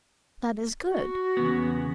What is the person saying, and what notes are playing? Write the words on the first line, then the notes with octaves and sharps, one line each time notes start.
"That is good."
F#4
E2 C#3 B3